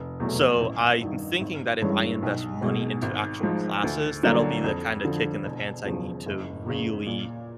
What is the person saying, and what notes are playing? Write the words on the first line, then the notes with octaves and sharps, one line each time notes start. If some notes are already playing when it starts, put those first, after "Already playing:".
So, I'm thinking that if I invest money into actual classes, that'll be the kinda kick in the pants I need to really,
Already playing: F1
E2 B2 F#3 A3
A1
G2 D#3
G#1
G2 E3 G#3 C#4
B1
B2 G#3
G#1
G#2 F3
D2
D3 F#3 A#3 D4
F2
D3 F3
E1
E2 C#3 F3
F#1
E2 C#3
A#2